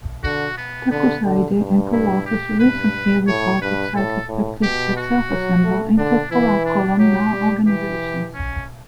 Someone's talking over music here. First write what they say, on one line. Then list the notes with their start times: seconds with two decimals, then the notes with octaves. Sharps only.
Takuzo Aida and co-workers recently reported cyclic peptides that self-assemble into polar columnar organizations.
0.23 D3 F#4
0.57 B3
0.91 D3 B3
1.25 D3
1.59 G2
1.93 E4
2.26 G4
2.60 G2 B4
3.27 A2 C#5
3.61 G2 B4
3.95 A2 A4
4.28 A2
4.62 B2 G4
4.97 F#4
5.30 F#3
5.64 A3
5.98 D3 D4
6.31 E3 E4
6.65 D4
6.99 F#3 G4
7.32 G3
7.66 E3 G4
8.34 C#4